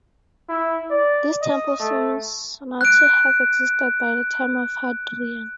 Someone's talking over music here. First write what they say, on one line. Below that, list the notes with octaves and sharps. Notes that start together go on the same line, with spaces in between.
This temple seems not to have existed by the time of Hadrian.
E4
D5
D#5
A3
F#6 D7